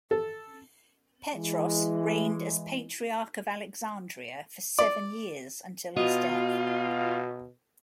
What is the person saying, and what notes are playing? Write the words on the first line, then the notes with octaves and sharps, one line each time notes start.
Petros reigned as Patriarch of Alexandria for seven years until his death.
A4
E3 G#3
D5
B2 B3 F4 F#4 D#5 F5